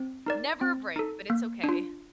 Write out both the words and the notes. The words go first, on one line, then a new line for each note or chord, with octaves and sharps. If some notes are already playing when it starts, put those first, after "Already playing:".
never a break, but it's okay.
Already playing: C4
D#4 A#4 D5
C4
D#4 A4
A#3
D4
F4